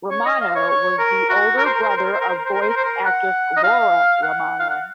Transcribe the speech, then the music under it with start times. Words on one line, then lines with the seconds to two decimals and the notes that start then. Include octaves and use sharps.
Romano was the older brother of voice actress Laura Romano.
0.11 C#5
0.26 D#5
0.41 F5
0.55 C#5
0.70 C#5
0.99 A#4
1.29 F#4
1.57 A#4
1.66 C5
1.74 A#4
1.82 C5
1.89 A#4
1.97 C5
2.05 A#4
2.13 C5
2.21 A#4
2.29 C5
2.38 A#4
2.45 C5
2.54 A#4
2.61 C5
2.69 A#4
2.76 C5
2.85 A#4
3.05 F#5
3.57 D#5
3.63 F5
4.22 F#5
4.60 F5
4.70 F#5